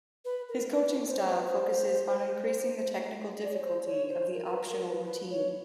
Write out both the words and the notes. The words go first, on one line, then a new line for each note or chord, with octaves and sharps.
His coaching style focuses on increasing the technical difficulty of the optional routine.
B4
A#4
B4
C5
C#5
C5
B4
C5
D5
C#5
C5
C#5
C5
A#4
A#4
B4
A#4
B4
B4
C#5